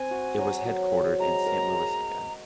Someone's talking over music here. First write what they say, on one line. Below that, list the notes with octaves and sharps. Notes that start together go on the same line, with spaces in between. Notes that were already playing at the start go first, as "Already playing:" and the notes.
It was headquartered in Saint Louis again.
Already playing: C4 C5 G#5
F#4
F#3
F#3
F#3
G#3 A#5
A#4
G#3